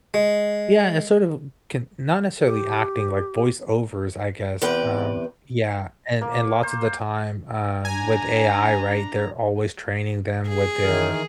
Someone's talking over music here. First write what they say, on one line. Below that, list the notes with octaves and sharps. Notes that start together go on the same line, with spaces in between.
Yeah, and sort of, can not necessarily acting like voiceovers, I guess, um, yeah, and and lots of the time, um, with AI, right, they're always training them with their
G#3
G4
E2 C3 G4 B4 G5
A#3
C5
D4 G#5 A#5
G#4
D#3 E3 A#4